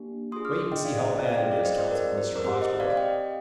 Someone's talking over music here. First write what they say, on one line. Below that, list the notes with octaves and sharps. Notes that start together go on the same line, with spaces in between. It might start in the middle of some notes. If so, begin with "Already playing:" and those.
"Wait and see how bad it is," counseled Mr. Hosbrook.
Already playing: A#3 D4 G4
D4 F4 G#4 C6 D#6
D6 F6
D#5 G5
D5 F5
C5 D#5
C5 D#5
D5 F5
C4 F4 G#4 D#5 G5
D5 F5
C5 D#5
C5 D#5
A#4 D5
C5
A#4
C4 G4 C5
C5 D#5
D5 F5
D#5 G5